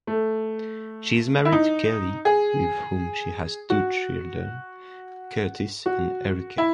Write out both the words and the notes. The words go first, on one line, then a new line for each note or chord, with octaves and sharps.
She is married to Kelly with whom she has two children, Kurtis and Erika.
A3
E4
D#4
G#4
F#4
F#4
E4